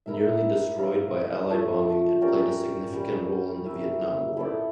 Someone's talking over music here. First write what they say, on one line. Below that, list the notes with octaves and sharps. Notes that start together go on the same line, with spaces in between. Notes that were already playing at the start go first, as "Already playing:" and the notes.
Nearly destroyed by Allied bombing, it played a significant role in the Vietnam War.
E4 A#4 E5
E4 A#4 C#5 F5
F3 A3 D4 A4
C#4 G4 A#4 D5
G3 C#4 G4 D5
E4 A#4 E5
E4 A4 D5